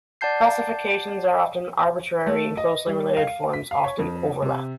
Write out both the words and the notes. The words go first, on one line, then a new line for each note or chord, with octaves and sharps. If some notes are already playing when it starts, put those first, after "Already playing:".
Classifications are often arbitrary, and closely related forms often overlap.
D5 F#5 A5 G6 C7
A3
D#5
G3
F5
B6
F5
C#5
F2
C3